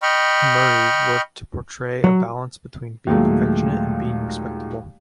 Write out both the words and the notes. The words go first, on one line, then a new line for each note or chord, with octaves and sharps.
Murray worked to portray a balance between being affectionate and being "respectable".
D#5 G5 B5 C#6 F6
F#3
D#2 A#2 F#3 G#3 A3